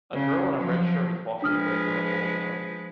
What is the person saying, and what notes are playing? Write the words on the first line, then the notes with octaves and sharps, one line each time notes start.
A girl in a red shirt is walking away from a bowling alley.
C#3
F3 F#3
F3 G#3 D4 B4 D#6 F6